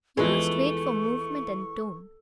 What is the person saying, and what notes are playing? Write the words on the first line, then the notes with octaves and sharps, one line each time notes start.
You must wait for movement and tone.
E2 E3 F3 G#3 A3 B3 C#6